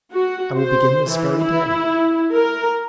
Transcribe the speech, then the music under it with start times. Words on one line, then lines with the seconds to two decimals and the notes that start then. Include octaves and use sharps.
I will begin this very day.
0.12 F#4
0.56 C5
1.09 E3
1.43 E4
2.33 A#4